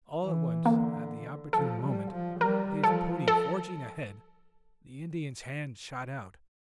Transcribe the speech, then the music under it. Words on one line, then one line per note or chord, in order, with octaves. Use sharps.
All at once, at the opportune moment, his pony forging ahead, the Indian's hand shot out.
E3
D3 A#3
F3 A4
G3
F3
G3 A#4
F3 A4
A4